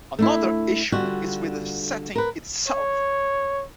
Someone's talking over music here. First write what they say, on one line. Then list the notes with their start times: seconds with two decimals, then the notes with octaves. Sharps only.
Another issue is with the setting itself.
0.19 A3 D4 E4
0.92 D3 G3 F4 F#4
2.16 A#4 B4
2.69 C#5